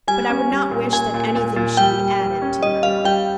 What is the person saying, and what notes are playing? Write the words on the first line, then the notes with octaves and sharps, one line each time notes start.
But I would not wish that anything should be added to the memoir.
G3 G#5
C#4
G3
A#2
A#2 G#5
A#2
A#2
A#2
G3 G5
G3
G3
C#4
G3 D#5
G3 F5
G3 G5